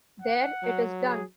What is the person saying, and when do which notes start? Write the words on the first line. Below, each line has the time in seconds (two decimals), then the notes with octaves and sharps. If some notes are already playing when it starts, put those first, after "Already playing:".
There - it is done.
0.22 F#5
0.63 F#3
1.04 G#4